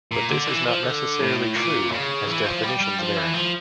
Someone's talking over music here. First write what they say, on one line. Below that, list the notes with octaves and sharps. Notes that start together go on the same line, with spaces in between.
But this is not necessarily true, as definitions vary.
A#2
D3
E3
F3
D3
A2
A#2
C#3
E3
F3
G3
G3
F3
E3
F3